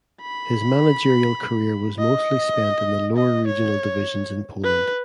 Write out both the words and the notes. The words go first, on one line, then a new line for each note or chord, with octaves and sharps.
His managerial career was mostly spent in the lower regional divisions in Poland.
B5
D#5
D#5
C#5
B4